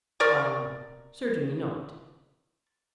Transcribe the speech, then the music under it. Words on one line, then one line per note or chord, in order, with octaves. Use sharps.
ION: Certainly not.
A#4 D5 C#6